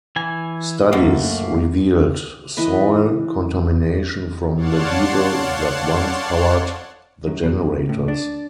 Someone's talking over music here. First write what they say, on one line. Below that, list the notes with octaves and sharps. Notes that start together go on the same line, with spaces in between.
Studies revealed soil contamination from the diesel that once powered the generators.
E3 G#5
F#2 A3 A#3
E3 B4 D#5 B5
C#5 D5 F5 F#5 A5 C6
F#2
B2
A2
D4